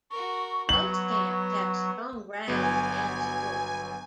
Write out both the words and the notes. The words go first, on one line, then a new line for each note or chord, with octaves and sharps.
Both camps have strong grounds and supporters.
F#4 A#4 C#6
F#3 B3 F#7
G1 F#3 B3 G#5